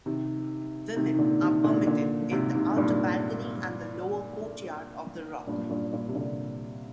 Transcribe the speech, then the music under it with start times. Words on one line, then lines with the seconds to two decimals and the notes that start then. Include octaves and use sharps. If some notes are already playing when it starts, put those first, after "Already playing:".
Women are permitted in the outer balcony and the lower courtyard of the rock.
0.06 C3 D#3
0.96 C3 D#3
1.14 D#3
1.18 A#2 D3
1.42 C3 D#3
1.64 A#2 D3
1.87 A#2 D3
2.32 G#2 C3
2.54 G#2 C3
2.71 G#2
2.76 G2 A#2
5.47 G2 A#2
5.70 G2 A#2
5.93 G2 A#2
6.08 C3
6.15 A#2 D3